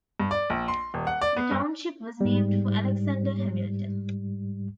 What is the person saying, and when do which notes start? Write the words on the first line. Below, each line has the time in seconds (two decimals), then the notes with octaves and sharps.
The township was named for Alexander Hamilton.
0.20 G2
0.31 D5
0.50 A#1
0.68 C6
0.94 D#1
1.07 F#5
1.22 D5
1.36 B3
1.51 G2
2.21 G#2 G3